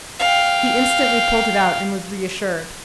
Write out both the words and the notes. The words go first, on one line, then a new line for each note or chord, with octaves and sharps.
He instantly pulled it out and was reassured.
F5 G5